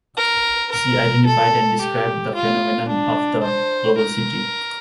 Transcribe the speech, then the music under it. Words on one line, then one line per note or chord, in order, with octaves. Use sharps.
She identified and described the phenomenon of the "global city".
A#4
A#4
A4
G4
F4
D4
C5
A#4